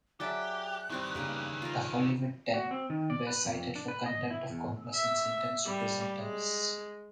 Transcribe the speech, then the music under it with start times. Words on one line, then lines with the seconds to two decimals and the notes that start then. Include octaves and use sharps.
The "Hollywood Ten" were cited for contempt of Congress and sentenced to prison terms.
0.20 F#3 G4 G#4 D5 E5 A5 D6 F#6
0.90 D#3 E3 G3 C4 E4
1.15 G2 C#3 A#3 G4 B4
1.62 F4 A#4
2.54 F#4
2.71 C4
2.90 D#3
3.10 D5
3.27 B4
3.45 F2
3.76 D4
3.88 B4
4.06 D#5
4.30 E4
4.50 E2
4.95 E5
5.66 G3
6.19 G#3